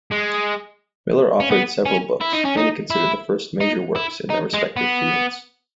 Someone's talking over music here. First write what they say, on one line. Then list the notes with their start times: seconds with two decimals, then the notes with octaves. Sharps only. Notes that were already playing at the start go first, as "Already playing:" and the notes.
Miller authored several books, many considered the first major works in their respective fields.
0.12 G#3
1.40 C#4
1.51 B3
1.85 C#4
2.21 E4
2.33 D#4
2.45 C#4
2.57 D#4
2.90 E4
3.60 D#4
3.96 E4
4.30 D#4
4.54 G#3
4.77 B3